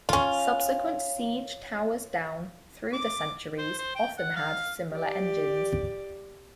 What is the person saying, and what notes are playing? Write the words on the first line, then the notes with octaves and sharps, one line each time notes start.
Subsequent siege towers down through the centuries often had similar engines.
C#4 F4
D6
C5
C5
G5
F#5
F5
G4 D5